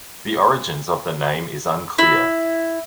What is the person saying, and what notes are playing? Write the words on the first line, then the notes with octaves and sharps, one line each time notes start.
The origins of the name is unclear.
E4